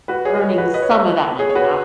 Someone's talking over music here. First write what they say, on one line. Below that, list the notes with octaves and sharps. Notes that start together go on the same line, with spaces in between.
earning some of that money, not,
F#4 B4
G#4 C#5
D#5
G#4 C#5
F#4 B4
B4 D#5
C#5
B4 D#5
G#4 C#5
C#5
F#4 B4